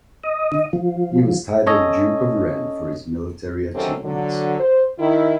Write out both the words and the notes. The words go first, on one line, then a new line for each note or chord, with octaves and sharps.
He was titled Duke of Ren for his military achievements.
D#5
F3
C#4 A4 C#5 D#5
D#2 C3 F#3 C4 C#4 A4
D3 F#3
C5
D#3 E4